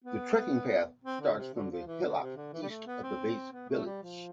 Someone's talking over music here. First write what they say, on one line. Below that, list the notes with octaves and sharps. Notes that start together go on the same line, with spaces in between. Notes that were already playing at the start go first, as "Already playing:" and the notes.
The trekking path starts from the hillock east of the base village.
B3
C4
D3
C3
D3
F3
E3
D3
C3
D3
E3
G3
A3
B3
C4
B3
A3
G3
F3